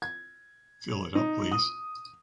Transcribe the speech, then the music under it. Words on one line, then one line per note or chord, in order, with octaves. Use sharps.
Fill it up, please.
G#6
D#4
D#6